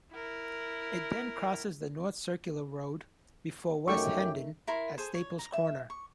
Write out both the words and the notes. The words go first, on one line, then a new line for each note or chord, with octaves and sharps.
It then crosses the North Circular Road before West Hendon at Staples Corner.
E4 A#4
F#2 D#3 A3 G4 E5 G5 C#6
E4 A#4 C6
G#4 A4 C5
C#5
A#5
E5
C#6